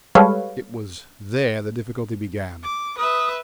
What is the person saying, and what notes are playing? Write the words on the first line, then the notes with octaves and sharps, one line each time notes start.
It was there the difficulty began.
G3 G#3 A4 B4 C#5 F5
D6
B4 E5 D#6